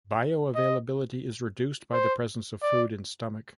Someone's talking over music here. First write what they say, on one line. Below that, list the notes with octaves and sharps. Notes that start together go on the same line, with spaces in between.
Bioavailability is reduced by presence of food in stomach.
D#5
C5
D5